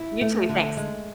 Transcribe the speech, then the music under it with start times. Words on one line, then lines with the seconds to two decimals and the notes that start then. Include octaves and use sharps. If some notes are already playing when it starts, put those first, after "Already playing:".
You too, thanks.
Already playing: E4
0.21 A3
0.49 D3
0.77 G#3